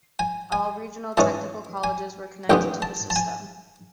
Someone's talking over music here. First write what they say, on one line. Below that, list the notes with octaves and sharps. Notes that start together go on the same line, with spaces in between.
All Regional Technical Colleges were connected to the system.
G#5
G#5
G#2 E3 G#3 C#4 A5
G#5
A1 G2 D#3 G#3 B3 G5
A5
A5
G#5